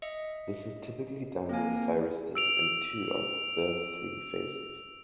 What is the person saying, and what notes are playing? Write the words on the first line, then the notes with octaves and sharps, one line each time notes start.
This is typically done with thyristors in two of the three phases.
D#5 E5 C#7
A#3 C4 G#5
E6 D7 F7